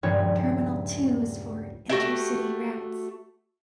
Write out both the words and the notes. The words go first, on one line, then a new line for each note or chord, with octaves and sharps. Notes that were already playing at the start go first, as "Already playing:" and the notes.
Terminal two is for intercity routes.
D#1 C#2 G2 F3 C4 C#5
A3 F#4 G4 E5